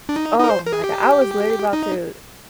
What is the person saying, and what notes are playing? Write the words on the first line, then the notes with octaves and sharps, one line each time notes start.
Oh my god, I was literally about to
D4
D#4
D#4
A#4
C5
A#4
G#4
G4
D#4